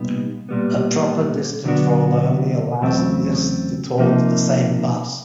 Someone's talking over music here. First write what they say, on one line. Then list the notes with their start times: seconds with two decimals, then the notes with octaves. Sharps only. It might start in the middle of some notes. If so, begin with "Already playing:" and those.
A proper disk controller only allows a "disk" to talk to the same bus.
Already playing: C2 A#2 G3 B3 D#4
0.49 A#2 G3 B3
1.65 D3 F#3 B3 D4 F#4
2.82 E2 C#3 F#3 A3 C4
3.98 C3 F3 A#3 D#4